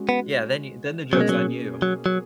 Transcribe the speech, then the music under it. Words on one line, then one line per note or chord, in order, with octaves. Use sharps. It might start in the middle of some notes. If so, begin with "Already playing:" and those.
Yeah, then then the joke's on you.
Already playing: G#3 C#4 F#4
B3
B2 F#3 A#3 C#4 G#4
G#3
F#3
F#3
F#3